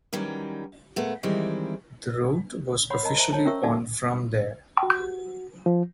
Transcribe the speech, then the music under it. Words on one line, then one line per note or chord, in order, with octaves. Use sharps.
The rout was officially on from there.
D#3 E3 F#3 G3 C#4
A#2 G#3 A3 B3
D#3 E3 G3 G#3 C4 E4
C#5 F#5 B5 C6
A#4 D#5 A5 A#5
C5 E5 A5 A#5
F4 C#5 A5
C#4 A#4 E5 C#6 E6
D#4 F#4 A4 E5 A5
F#4
F3